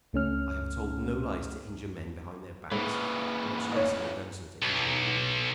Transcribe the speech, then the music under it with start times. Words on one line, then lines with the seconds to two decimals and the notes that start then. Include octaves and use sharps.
I have told no lies to injure men behind their backs;--much less have I done so to injure a woman.
0.13 C#2 A3 C#4 F6
2.72 G#2 C#3 E3 A#3 B4
3.72 C#4 D#4
4.62 B1